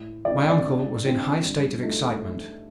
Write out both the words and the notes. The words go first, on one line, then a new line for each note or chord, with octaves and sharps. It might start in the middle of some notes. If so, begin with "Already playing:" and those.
My uncle was in high state of excitement.
Already playing: A2
F3 C4 D#4 D5
D5
D2
D3 F3 C4
G2
F3 A3 D#4